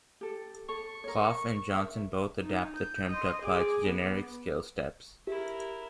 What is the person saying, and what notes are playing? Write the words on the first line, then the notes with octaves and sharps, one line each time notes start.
Clough and Johnson both adapt the term to apply to generic scale steps.
G4 A4
A4 C#6
A#4 C#5
A#4 E5
D#4
G6
D#5 C6
G#4 D6
B3
E4 G4 A#4